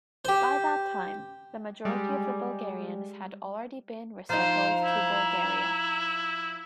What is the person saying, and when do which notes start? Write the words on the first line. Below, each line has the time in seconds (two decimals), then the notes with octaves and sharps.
By that time, the majority of the Bulgarians had already been resettled to Bulgaria.
0.25 G4 C5
1.85 G3 G#3
4.30 F3 D#4 C5 A#5
4.83 E4